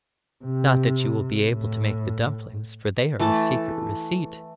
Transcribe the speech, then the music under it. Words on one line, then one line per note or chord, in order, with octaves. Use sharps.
Not that you will be able to make the dumplings, for they are a secret receipt.'
C3
A2
E3 A3 A4 A5